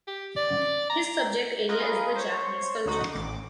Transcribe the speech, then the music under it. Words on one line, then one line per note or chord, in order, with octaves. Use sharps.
His subject area is the Japanese Culture.
G4
D5
A#5
F4 G#4 A#4 B4 D#5
C5 C#5
D2 D3 D#4 F#4 B5 D#6
A1 D6